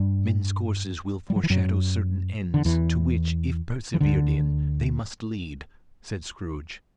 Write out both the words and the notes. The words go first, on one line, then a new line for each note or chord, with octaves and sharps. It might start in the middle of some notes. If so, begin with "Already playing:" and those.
"Men's courses will foreshadow certain ends, to which, if persevered in, they must lead," said Scrooge.
Already playing: G2 G3
G3
F#3
E3
F#2 F#3
D3
E2 E3
E3
D2 D3